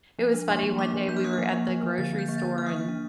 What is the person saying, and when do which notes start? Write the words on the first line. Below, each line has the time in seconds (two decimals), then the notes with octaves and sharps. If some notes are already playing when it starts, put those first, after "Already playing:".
it was funny, one day, we were at the grocery store, and
0.19 F3
0.34 D4
0.48 A#3 C6
0.63 F3
0.78 A#3 D6
0.94 F3
1.08 A#3 G6
1.17 F6
1.24 A#3 D#6
1.33 F6
1.38 F3
1.53 A#3
1.68 F3
1.83 F3
1.98 D3 A6
2.13 D3
2.19 G6
2.29 A#3
2.38 A6
2.43 F3
2.58 A#3 F6
2.66 D#6
2.73 A#3 F6
2.88 D4